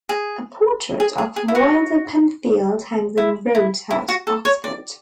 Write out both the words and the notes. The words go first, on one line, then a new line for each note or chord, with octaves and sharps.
A portrait of Wilder Penfield hangs in Rhodes House, Oxford.
G#4
G#4
G#4
G#4
E4
F#4
E4
E4
E4
F#4
A4
C#5
D5